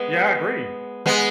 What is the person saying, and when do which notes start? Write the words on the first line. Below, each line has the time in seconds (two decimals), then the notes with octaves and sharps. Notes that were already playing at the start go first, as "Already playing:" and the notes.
Yeah, I agree.
Already playing: G#3 B3
1.06 G#3 B3